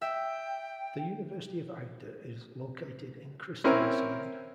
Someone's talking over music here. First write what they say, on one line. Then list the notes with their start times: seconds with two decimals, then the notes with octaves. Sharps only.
The University of Agder is located in Kristiansand.
0.02 E5 G5
3.64 C4 C#4 E4 A#4